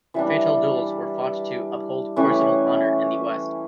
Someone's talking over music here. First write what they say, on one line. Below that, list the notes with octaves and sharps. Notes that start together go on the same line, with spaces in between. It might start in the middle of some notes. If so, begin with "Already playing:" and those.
Fatal duels were fought to uphold personal honor in the West.
E3 G3 D4
E3 A3 C#4 G4